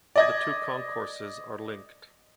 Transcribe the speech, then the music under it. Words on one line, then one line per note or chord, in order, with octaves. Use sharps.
The two concourses are linked.
D5 D#5 G#6